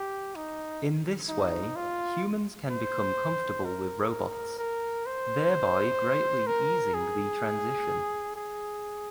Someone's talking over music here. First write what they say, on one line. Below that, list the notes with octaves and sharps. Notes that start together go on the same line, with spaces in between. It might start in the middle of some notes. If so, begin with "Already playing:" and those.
In this way, humans can become comfortable with robots, thereby greatly easing the transition.
Already playing: G4
D#4
D#4
F4
C5
A#4
A#4
C5
A#4
G#4
G#4